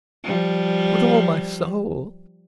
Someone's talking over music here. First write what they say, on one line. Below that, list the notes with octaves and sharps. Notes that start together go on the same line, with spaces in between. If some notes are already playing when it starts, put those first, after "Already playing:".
"With all my soul."
F3 G3